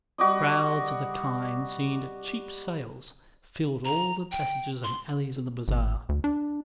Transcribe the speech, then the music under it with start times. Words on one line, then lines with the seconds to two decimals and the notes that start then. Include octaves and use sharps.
Crowds of the kind seen at cheap sales filled all the passages and alleys of the Bazaar.
0.18 G3 F#4 D5 D#5
3.85 A#5
4.32 G5
4.84 C6
5.68 G#1
6.09 D2
6.24 D4